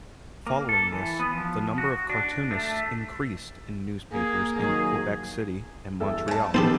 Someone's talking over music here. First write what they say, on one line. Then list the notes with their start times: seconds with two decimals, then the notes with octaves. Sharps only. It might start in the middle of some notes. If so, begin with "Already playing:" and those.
Following this, the number of cartoonists increased in newspapers in Quebec City and Montreal.
0.47 A#3
0.69 A4
0.92 E3
1.19 B3
1.32 F3
1.78 F#4
2.10 D4
2.51 A3
4.11 A#3 G#4
4.55 D#3 F#3 G#4
6.00 E2 G2 A4
6.28 C#3 A5
6.54 D#3 B3 G4 A4 C5